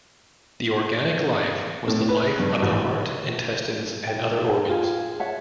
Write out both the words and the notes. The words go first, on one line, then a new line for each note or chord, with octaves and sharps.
The organic life was the life of the heart, intestines, and other organs.
A2
B4
G2
A1
G5
G5
F4 G#4
C#5 E5 F#5 A5